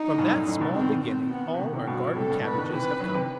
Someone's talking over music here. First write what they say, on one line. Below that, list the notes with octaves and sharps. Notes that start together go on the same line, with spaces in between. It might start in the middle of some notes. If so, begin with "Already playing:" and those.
From that small beginning all our garden cabbages have come.
Already playing: D#4
A2
G2 B2
F#2 A2
F#2 A2
G2 B2
B2 D#3 C4
C4
B3
C3
B2 D#3 B3
A2 C3
G2 B2 F#4
A2 C3 A4
G2 B2
G2 B2 B4
B2 D#3
C3 E3 B4
D#3 F#3
C3 E3